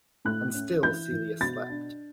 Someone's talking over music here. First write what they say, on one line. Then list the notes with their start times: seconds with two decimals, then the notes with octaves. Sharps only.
And still Celia slept.
0.25 A2 F#6
0.54 C#4
0.83 E3 G6
1.12 E3
1.40 B2 A6
1.70 D4